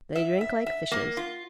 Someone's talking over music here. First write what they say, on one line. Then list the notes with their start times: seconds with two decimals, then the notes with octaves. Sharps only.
They drank like fishes.
0.16 E5
0.41 E5
0.66 E5
0.91 A#3
1.17 F4